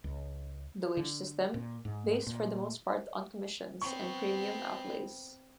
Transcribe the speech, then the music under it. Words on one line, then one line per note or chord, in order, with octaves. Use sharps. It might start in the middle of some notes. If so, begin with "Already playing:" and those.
The wage-system based for the most part on commissions and premium outlays.
C#2
D3
A#2
G#2
A#2
B3 C4 C#6